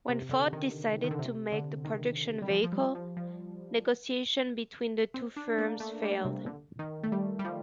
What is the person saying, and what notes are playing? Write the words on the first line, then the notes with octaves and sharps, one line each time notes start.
When Ford decided to make the production vehicle, negotiations between the two firms failed.
C3
D3
D#3
D#3
D3
C3
D3
D#3
G3
F3
F3
G3
F3
F3
C4
D4
A#3
A3
G3
C3
D3
D#3
A3
G3
G3
F3